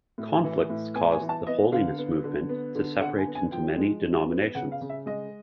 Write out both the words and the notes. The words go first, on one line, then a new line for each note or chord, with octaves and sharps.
Conflicts caused the holiness movement to separate into many denominations.
A2
E3
A2
B3 G#5
G#5
E3
A5
B3 D#5
D3 F5
B3
D3
B3
D3
D3 F#5
G#5
B3
G#5
F3 G5
G#3
F3
B3
C#3 F#5
F5
C#3
E5
G#3 D#5